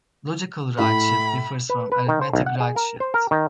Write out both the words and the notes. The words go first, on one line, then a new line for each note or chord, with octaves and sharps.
Logical right shift differs from arithmetic right shift.
A2 B5
B4
B4
D#3
C5
B1
F#5
G#4
A#4
C5
A#4
D#3